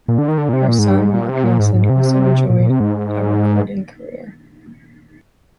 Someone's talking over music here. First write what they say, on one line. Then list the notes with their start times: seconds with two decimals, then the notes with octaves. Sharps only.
Her son Marc Nelson also enjoyed a recording career.
0.08 A#2
0.18 D3
0.28 D#3
0.38 D3
0.49 A#2
0.53 C3
0.69 A#2
0.79 G#2
0.89 G2
0.99 G#2
1.14 A#2
1.29 C3
1.44 A#2
1.59 G#2
1.74 G#2
1.90 C3
2.50 A#2
2.60 A#2
2.70 C3
2.80 G#2